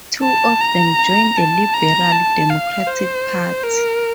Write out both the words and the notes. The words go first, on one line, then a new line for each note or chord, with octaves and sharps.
Two of them joined the Liberal Democratic Party.
A5
A#5
A5
A#5
A5
F5
C5
A#4